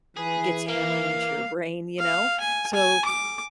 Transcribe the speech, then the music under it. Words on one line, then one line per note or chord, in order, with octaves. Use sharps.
gets hammered into your brain, you know? So
E3 G#4 B4
A#3 F5
F5
G#5
G#5
D6